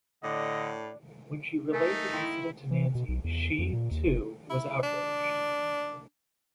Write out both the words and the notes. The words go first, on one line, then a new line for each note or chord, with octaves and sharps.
When she relayed the incident to Nancy, she, too, was outraged.
A2 D3 D4 D#5
A3 D#4 A4 A#4 G#5
E4 F5 G5 C6
E3
B2
B1
E2
F2
A#2
D#2
F#1
E4
D4